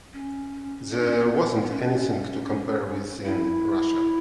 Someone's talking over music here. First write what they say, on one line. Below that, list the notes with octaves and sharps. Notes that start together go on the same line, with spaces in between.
There wasn’t anything to compare with in Russia.
C#4
C#4
D#4
C#4
B3
B3
C#4
E4